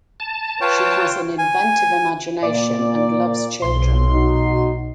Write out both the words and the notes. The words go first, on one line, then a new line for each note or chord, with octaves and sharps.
She has an inventive imagination and loves children.
A5
F4 B4 C#5 G5
G#5
A#2 A#3 D5
B1 C6
D#4 F#4